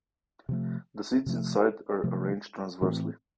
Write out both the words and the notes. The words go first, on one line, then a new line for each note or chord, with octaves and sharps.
The seeds inside are arranged transversely.
C3 F3 A3
C3 F3 A3
C3 F3 A3
A2 E3 A3 C4